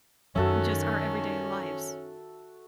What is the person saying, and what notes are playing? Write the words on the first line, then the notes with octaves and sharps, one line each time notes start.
just our everyday lives.
F#2 D#3 F#3 C#4 F#4 A4 E5